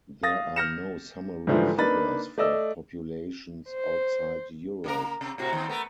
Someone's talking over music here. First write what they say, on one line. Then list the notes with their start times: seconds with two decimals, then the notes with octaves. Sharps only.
There are no summary figures for populations outside Europe.
0.23 F5 D#6 A6 A#6
0.56 F6 G6 A#6 C#7 E7
1.47 G#2 D3 E3 F3 G3 A3
1.77 A#3 D4 D#4 B4 B5 A6
2.38 A3 D5 D#5 E6
3.69 C5
4.84 C#3 A#3 A#4
5.21 C3
5.38 A2 C3 F#4
5.53 D#2 C4
5.68 A3 B3 A#4